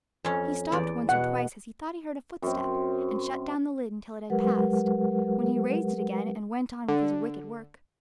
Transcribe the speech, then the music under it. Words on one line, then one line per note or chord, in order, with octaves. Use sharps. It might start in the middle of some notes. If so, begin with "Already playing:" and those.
He stopped once or twice as he thought he heard a footstep, and shut down the lid until it had passed, when he raised it again and went on with his wicked work.
F2 C#4
E2 D5
B2 F#5
F#2 C4
F#3 G#3 G4 A#4 B4 F#5
D3